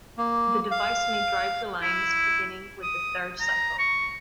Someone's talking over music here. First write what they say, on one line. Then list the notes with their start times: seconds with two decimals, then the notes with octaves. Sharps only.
The device may drive the lines beginning with the third cycle.
0.17 A#3
0.71 F5
1.83 E4
2.83 D#6
3.40 A#5
3.79 C#6